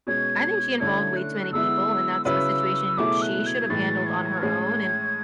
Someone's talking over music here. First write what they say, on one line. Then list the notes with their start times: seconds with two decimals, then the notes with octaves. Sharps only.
I think she involved way too many people, and that's a situation she should have handled on her own, and
0.07 B2 G#3 C#4 G#6
0.80 D3 A3 C#4 E4 A4 G#6
1.16 F#6
1.52 D3 G#3 B3 E4 E6
2.25 C#3 F#3 C#4 E4 B4 E6
2.97 B2 F#3 A3 E4 G#4 D6
3.22 F#6
3.46 G#6
3.70 A2 E3 G#3 A6
4.06 G#6
4.43 A2 G#3 C#4 G#4